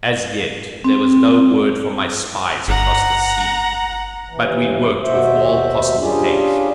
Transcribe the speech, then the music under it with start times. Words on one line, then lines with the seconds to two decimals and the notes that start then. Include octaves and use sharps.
As yet there was no word from my spies across the sea; but we worked with all possible haste.
0.84 C4
2.68 G1 F#5 A#5
4.30 D#2 E3
5.02 D#2 B2 F#4 C5 E5
6.00 G3 C#4 D4 F4 G4 G#4